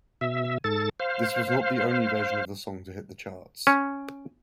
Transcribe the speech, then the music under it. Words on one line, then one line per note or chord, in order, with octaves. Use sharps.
This was not the only version of the song to hit the charts.
B2 E5
G#2 A4 A6
C5 F5
C#4